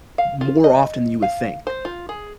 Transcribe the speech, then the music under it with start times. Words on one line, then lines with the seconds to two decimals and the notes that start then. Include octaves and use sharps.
more often than you would think.
0.18 F5
0.41 F4
0.64 D#5
1.22 F5
1.67 C5
1.85 F4
2.09 G#4